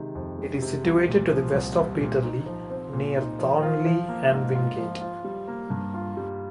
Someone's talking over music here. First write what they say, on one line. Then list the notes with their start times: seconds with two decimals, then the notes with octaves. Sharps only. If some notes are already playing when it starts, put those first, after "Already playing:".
It is situated to the west of Peterlee, near Thornley and Wingate.
Already playing: C3 D#3 G#3
0.15 F2
0.39 G#3
0.62 C3
0.85 C2
1.08 A#2
1.31 F3
1.54 C2
1.77 C2
2.01 A#2
2.23 D#4
2.46 F3
2.70 C4
2.93 A#2
3.16 D#4
3.39 F3
3.62 F4
3.86 F3
4.09 A#3
4.31 G#2
4.55 F4
4.78 F3
5.01 F4
5.25 G3
5.48 A#3
5.70 G2
5.94 F4
6.17 G3